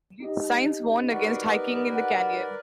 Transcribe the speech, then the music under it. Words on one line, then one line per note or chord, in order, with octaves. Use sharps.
Signs warn against hiking in the canyon.
D#4 G4 D#5
F#4 A#4 B4 D5
B3
F#5